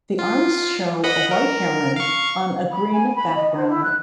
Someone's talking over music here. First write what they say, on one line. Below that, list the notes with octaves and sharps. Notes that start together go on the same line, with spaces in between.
The arms show a white heron on a green background.
F4
D#5 F#5 B5
A#4
F5 C#6
B5
G#5
B5
D#5
C5
E4
F#6